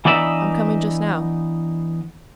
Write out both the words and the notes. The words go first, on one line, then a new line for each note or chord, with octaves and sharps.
"I'm coming just now."
E3 B3 D4 D#4 D5 E5